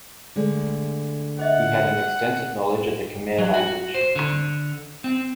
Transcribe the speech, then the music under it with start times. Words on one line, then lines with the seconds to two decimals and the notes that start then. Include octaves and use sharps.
He had an extensive knowledge of the Khmer language.
0.36 D3 G#3 A3
1.39 C5 D#5 E5 F#5
3.38 F#3
3.54 F#4
3.94 C5
4.16 D3
5.04 C4